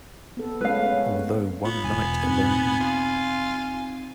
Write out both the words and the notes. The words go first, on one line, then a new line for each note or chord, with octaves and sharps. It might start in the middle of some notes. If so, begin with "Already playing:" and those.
Although One Nite Alone...
B3 A4
G#3 A3 C#4 B4 F5
C#4
B3 F4
E1 G#5
C4 D#4 F#6
F4